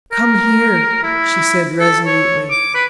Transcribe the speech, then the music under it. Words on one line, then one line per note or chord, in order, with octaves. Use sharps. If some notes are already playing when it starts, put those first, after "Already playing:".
"Come here," she said resolutely.
A#4
E4
A4
C#5
D6
B4